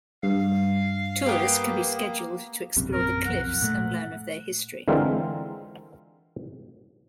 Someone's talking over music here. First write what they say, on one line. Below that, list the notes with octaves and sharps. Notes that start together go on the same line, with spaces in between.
Tours can be scheduled to explore the cliffs and learn of their history.
G2 F5
A#3 B3 G4
A#1 F#2 C3
A#4
B1 F2 F#5
A#2 A3
D3 E3 G#3 C4 F4 A#4